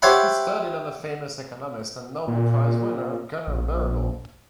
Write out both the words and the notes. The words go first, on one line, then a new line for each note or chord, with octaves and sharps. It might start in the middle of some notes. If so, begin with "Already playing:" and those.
He studied under famous economist and Nobel Prize Winner Gunnar Myrdal.
G4 C5 C#5 E5 F#5 B5
A#2
A#1